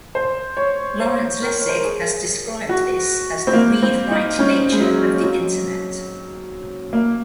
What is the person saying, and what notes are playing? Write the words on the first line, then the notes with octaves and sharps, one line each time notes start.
Lawrence Lessig has described this as the "read-write" nature of the Internet.
C5
C#5
C5
A#4
C#5
C5
A#4
G#4
F#4
C4
A#3
C4
D#4
C#4
G#3
F#3
F#3
A#3